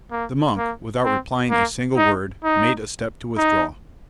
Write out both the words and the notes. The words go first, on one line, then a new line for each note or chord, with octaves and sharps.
The monk, without replying a single word, made a step to withdraw.
A#3
A#3
C4
A#3
D#4
D#4
D#4